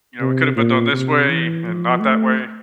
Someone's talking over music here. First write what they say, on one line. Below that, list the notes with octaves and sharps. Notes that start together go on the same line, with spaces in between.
you know, it could have been done this way, and not that way.
C3
A#2
C3
E3
F3
A3